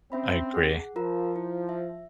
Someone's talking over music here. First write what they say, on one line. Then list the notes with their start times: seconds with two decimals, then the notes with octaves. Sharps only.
I agree.
0.12 C4 C#4 E5 B5
0.54 G#4 F#5
0.96 F3 F4 A#4 A#5
1.36 E4
1.69 E5